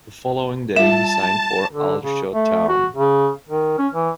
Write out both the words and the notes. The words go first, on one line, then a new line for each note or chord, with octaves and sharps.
The following day he signed for Aldershot Town.
G3 F4 E5 A5 E7
D3
C#3
A3
F#4
C#3
D#3
C#4
E3